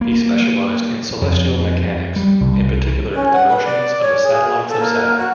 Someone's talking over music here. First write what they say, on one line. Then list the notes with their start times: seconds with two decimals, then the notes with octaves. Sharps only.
He specialized in celestial mechanics, in particular the motions of the satellites of Saturn.
0.01 A#3
1.22 F2
2.16 G3
2.41 C2
3.14 C#4
3.32 F#5
3.49 B4
3.65 D5
4.01 C#5
4.23 G#4
4.68 A4
4.79 A#3
5.17 F#4